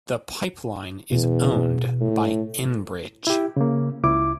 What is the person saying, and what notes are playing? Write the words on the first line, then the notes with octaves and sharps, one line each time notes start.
The pipeline is owned by Enbridge.
E2 B2
A2
E4 G4
C#3 A#3
C#2 E4 D6